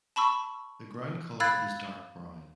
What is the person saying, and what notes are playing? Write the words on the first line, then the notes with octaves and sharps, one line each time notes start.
The ground colour is dark brown.
A5 B5 C#6 E6
F5 B5 E6 F#6 G#6 A6